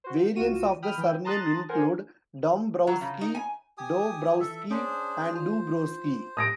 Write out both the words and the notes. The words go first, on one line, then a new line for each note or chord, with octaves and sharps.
Variants of the surname include Dombrowski, Dobrowski, and Dobrosky.
F#4 C5
C2 F4 F#4 D#7 E7
G5 B5 D#6 F6
E3 G5
A5 A#5 C6 D#6 F#6 A6
A#4 C5 F#5 G#5
F#3
C#3
D#4
G#5
G4 G#5 D#6
E3 A4 E5
C#4 D4 G#4 C5
F4 C5
A2 D#6 A#6 D7